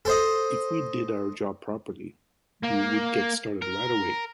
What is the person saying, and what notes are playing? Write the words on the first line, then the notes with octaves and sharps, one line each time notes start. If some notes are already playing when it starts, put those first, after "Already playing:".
If we did our job properly, we would get started right away.
A4 C5 D#5
A#3
A#4